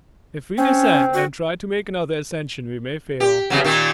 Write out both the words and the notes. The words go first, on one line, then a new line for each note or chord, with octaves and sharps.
If we descend, and try to make another ascension we may fail.
C4 C#4
F#4
G4
E2 C#3 F#3
A#2 D#3 D#4